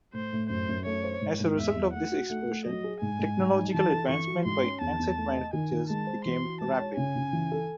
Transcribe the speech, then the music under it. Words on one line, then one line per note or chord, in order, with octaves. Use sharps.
As a result of this explosion, technological advancement by handset manufacturers became rapid.
A2 C5
A2
F#2 C5
F#2
A3 C#5
C5
G#2
G#2
E2 E5
E2
A3 F#5
F#4
A3 F#5
A3
F#3 D#5
G#4
G#2 G#5
G#2
G#2
D#4
E3 A5
A4
E3 C#6
F#4
G#2 C6
C#4
E2 A5
E2
A3
D#5
D#3 G#5
D#3
G#3 A5
C5
E3 C6
F#4
G#3 A5
C#5
C#3 G#5
C#3
E3
A4